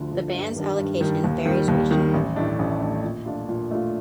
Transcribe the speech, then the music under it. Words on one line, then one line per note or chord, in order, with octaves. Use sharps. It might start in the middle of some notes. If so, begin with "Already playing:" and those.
The band's allocation varies regionally.
Already playing: D2 D3 F3
D3 F3
G2
D#3 G3 D4
G2
D#3 G3 D4
D#2
D#3 G3
D#2
D#3 G3
A1
A2 A3 D4
A1
A2 A3 D4
A#2
A3 D4 F4
A#2
A3 D4 F4